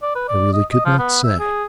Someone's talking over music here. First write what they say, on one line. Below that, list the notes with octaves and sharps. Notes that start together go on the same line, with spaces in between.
I really could not say?'
D5
B4
D5
D#5
D#5
F3
B3
E5
G#4